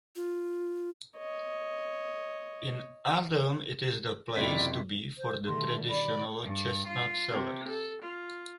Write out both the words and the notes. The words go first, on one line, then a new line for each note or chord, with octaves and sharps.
In autumn it is the place to be for the traditional chestnut sellers.
F4
C#5 D#5
F#1 C3 E4 F4 D5 B6
C5
B2 D3 D#3 G3 A3 C6 A#6
D5 B5
G2
F4
C3
A4
F4